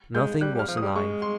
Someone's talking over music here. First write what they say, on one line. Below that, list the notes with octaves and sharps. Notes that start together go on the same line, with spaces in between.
Nothing was alive.
G#3 G6
G3 F#6
G3
F6
F3
D#6
G3
G#3 C#6
C6